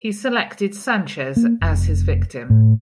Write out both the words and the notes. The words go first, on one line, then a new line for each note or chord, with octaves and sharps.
He selected Sanchez as his victim.
A#3
F1
A2